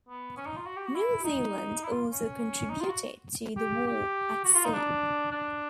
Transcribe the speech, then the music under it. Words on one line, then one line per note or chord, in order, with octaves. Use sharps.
New Zealand also contributed to the war at sea.
B3
C#4
D#4
F4
F#4
G4
F#4
E4
D#4
E4
F4
C#4
D#4
F4
F#4
G4
G4
F#4
F4
D#4
D4
D4